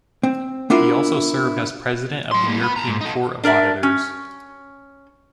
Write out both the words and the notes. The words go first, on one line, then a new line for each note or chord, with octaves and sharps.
He also served as President of the European Court of Auditors.
C4
B3 D4 E4 F4 A#4
F#3 C6
G3 A#3
B3 B5
A5 A#5
G#2
D#4 A4
D4 A#4 D5 E5
C#4